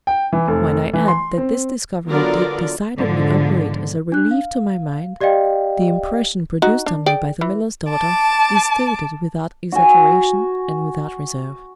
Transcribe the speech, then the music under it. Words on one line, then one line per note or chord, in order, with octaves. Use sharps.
When I add that this discovery did decidedly operate as a relief to my mind, the impression produced on me by the miller's daughter is stated without exaggeration and without reserve.
G5
E3
F1
E3
C6
C4
D3 F#3 B3 F4 A#4 D5
G#2 B2 D3 F3
D4 F#6
F5
G4 D5 D#5 F5 G5
D#4 F#4
D4
G#4 D5 G5
E3
A5 D6
F#4 G#5